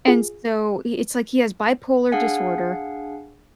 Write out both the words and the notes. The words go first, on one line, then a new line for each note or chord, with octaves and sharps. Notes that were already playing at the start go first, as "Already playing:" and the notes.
and so i it's like he has bipolar disorder,
F4 G#4
D4 G#4 F5 F#5 G#5